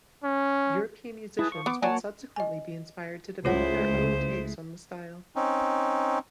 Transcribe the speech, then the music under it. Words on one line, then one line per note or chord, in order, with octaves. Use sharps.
European musicians would subsequently be inspired to develop their own takes on the style.
C#4
E4 G#4 B4 A5
F3 C#6
B3 D6
F#3 A#3 C#5 D5 F#5 G#5 A5
D#5 G#5
C#2 G#3 A3 E4 F4 C5 C#5 F#5
C4 C#4 D#4